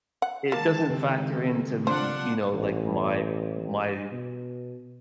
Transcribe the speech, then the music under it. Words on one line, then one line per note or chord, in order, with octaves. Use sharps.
it doesn't factor into m you know, like, my my,
F#5
D#3 G#3 A#3 A5
C#3 C4 G4 A4
D4 F4 C5 F#5
A1
B2